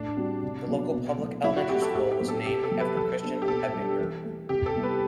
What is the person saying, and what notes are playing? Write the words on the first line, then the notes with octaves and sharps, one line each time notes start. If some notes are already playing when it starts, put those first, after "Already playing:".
The local public elementary school was named after Christian Ebinger.
Already playing: A2 D4
G3 C4 F#4
C3
F#3 B3 F#4
B2
F#3 A3 E4
F#3 E4
F#4
A3 C4 G4
A4
A2 G4
G4
F#3 B3 D4
A4
C3 G4
A4
F#3 B3
B4
F#3 A4
B3 D4
G4
B2 A4
G3 D4
E3
A3 E4
C3 G4
A4
G3 B3 E4
B4